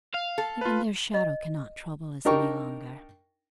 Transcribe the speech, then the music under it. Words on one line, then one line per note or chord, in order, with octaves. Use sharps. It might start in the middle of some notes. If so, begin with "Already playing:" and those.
Even their shadow cannot trouble us any longer.
F5
A4
F4 B4
D#5
D4 D#4 A#4 G5 C#6